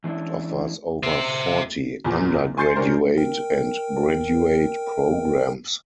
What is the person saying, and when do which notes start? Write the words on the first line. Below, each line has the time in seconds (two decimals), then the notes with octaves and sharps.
It offers over forty undergraduate and graduate programs.
0.04 E3 G#3 C#4 D4 E4
1.03 C5 E5
2.05 E2 A#2 F3
2.57 G#5 C6 G6 A6 C7 C#7
2.75 C#4 D4 G4 A#4 C5
3.18 A#4 G5